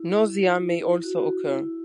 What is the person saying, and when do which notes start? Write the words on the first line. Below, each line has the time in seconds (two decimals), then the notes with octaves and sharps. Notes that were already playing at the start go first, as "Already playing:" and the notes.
Nausea may also occur.
Already playing: E4
0.60 E4
1.04 F#4
1.47 E4